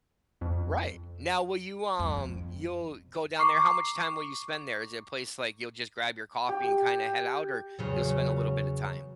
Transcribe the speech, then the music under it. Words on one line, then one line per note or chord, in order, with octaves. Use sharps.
Right. Now, will you, um, you'll go down there. How much time will you spend there? Is it a place like you'll just grab your coffee and kinda head out, or you'll spend a little bit of time?
F2
F2
A#5 C#6 D6 C7
G4
E2 C#3 F#3